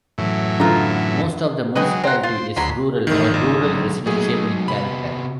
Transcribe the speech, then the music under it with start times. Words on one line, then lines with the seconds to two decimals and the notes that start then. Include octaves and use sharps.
Most of the Municipality is rural or rural-residential in character.
0.18 F#2 A2 E3
0.60 D3 B3 F4 A#5
1.76 F#3 G#3 B4 D#5 G5
2.03 C4 A#4 C5 F#5
2.23 F4 C5
2.56 D2 D3 F#3 B5 C6
3.07 G#1 F2 A2 D#3 E3
3.32 G#1 D#2 A#2 D#4
3.62 F#2 D3
4.06 F#3 A3 D#4 G#4
4.68 C3 B3 B5